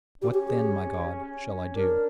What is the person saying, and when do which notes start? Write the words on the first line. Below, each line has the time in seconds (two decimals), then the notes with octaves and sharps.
What then, my God, shall I do?
0.22 C#4 G4
0.34 G4
0.48 G#4
0.54 G4
0.61 G#4
1.25 C#4
1.76 D4 A#4